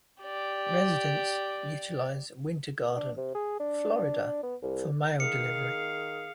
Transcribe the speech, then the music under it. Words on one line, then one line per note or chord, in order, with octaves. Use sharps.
Residents utilize Winter Garden, Florida for mail delivery.
G4 D5
D4
C3
G#4
D4
B3
C2
D#3 G#4 F5 C#7